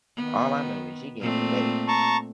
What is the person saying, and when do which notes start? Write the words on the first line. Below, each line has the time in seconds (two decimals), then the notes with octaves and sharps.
All I know is, she gave it away,
0.17 D#3 B3
1.20 A#2 A3 C4
1.88 A5 A#5 C#6